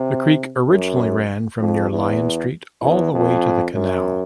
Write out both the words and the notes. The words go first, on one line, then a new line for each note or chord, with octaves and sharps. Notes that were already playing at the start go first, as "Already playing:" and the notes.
The Creek originally ran from near Lyon Street all the way to the canal.
Already playing: C3
F#2
F2
E2
E2
F2
F#2